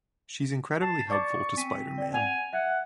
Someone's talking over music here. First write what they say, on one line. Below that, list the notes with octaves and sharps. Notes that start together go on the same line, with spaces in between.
She's incredibly helpful to Spider-Man ...
A5 C7
D5 C#6 D6 A6
C4 G#5 B6 D#7
D5 G5
F#5 G#5 F7
E5 F#5 F#6 G#6